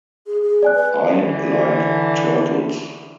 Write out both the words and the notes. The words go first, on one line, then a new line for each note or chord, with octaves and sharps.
I like turtles.
G#4
G#4
D5 G#5 F#6
B4
D3 E3